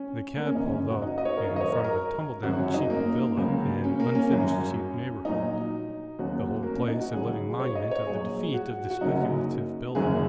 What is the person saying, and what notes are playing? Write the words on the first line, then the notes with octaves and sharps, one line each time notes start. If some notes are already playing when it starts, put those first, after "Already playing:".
The cab pulled up in front of a tumbledown cheap 'villa' in an unfinished cheap neighbourhood,--the whole place a living monument of the defeat of the speculative builder.
Already playing: C#4
A#3
C#4
F#1 F#2 D#3 D#4
C#4
F#4
D#4
D#5
C#5
A#4
G#1 F#2 F#3
D#5
C#5
A#4
A#4
G#1 F#2 C#3 F#3 F#4
C#4
D#4
A#3
C#2 C#3 F#3
C#4
A#3
C#4
G#1 F#2 F#3
A#1 A#2 F#3 D#4
D#2 C#3 F#3 F#4
A#3
C#4
D#4
F#4
C#2 C#3 F#3 G#4
C#5
D#5
C#5
A#1 A#2 F#3 G#4
F#4
F#4
F#1 F#2 C#3 F#3 D#4
F#1 F#2 D#3 F#3 G#4